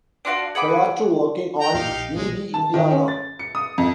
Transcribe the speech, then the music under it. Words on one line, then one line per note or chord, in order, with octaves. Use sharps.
Prior to working on "Eerie, Indiana".
D4 F4 F#4 F5
G#4 F#5 B5 D6
G5 A#5
E2 A#2 D#4 G4 F5
A#1
B1 A#2 G#3
A5
D#3
C#4
A6
C#7
D#6
F2